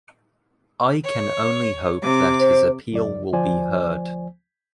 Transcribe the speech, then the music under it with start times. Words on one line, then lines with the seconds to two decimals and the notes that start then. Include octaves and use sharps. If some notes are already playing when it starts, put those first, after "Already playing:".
I can only hope that his appeal will be heard.
1.05 C#5
2.03 C3 D6
2.40 C5
2.92 C#2 F#2 D5
3.33 D2 F3 C5 D5 G#5